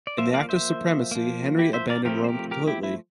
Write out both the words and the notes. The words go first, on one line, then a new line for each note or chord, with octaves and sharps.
In the Act of Supremacy, Henry abandoned Rome completely.
D5
F3 A#3 C5 E5
D5 F5
C5 E5
F3 A#3
E4 G4
C5 E5
A#4 D5
F3 A3 C4 G4 A#4
C5
G4 A#4
G4 A#4
E4 G4
E4